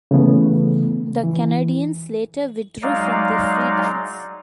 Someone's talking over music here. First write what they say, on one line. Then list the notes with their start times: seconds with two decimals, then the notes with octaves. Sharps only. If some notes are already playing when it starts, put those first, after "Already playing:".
The Canadians later withdrew from the free dance.
0.11 C#3 E3 A3 B3
1.23 E3
2.82 F#3 G#3 D#4 D5 D#5 F5